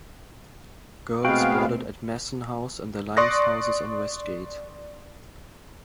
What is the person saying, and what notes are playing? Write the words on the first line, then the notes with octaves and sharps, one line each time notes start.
Girls boarded at Masson House and The Limes houses on Westgate.
B2 G#3 A3 B3 C4 F#4 F5 G5
D5 C6 C#6 D#6 F#6 A#6